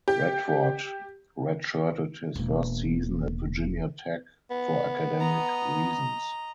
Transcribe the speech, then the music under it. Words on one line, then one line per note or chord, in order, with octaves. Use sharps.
Radford redshirted his first season at Virginia Tech for academic reasons.
G4
E1 A#3
B3
D#5 A#5